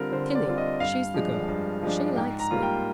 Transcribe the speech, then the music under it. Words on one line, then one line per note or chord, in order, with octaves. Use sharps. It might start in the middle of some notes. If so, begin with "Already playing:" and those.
Tillie--she's the girl--she likes me.
Already playing: D3 G3 C4 F4 A#4
D3 C5
D5
G3 C4 F4
D#5
G2 F5
F3 G#3 D4
G2
F3 G#3 D4
G#2 G5
A#5
G3 A#3 F4
G5